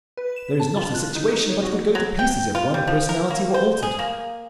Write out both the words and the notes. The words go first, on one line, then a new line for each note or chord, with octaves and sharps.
There is not a situation but would go to pieces if one personality were altered.
B4
E7
A5
F4
F#6
D#4
D#4
C#5
F#4
F#3
G5
F4
G3
F3
A#4
A#3
C5
G#4
A#3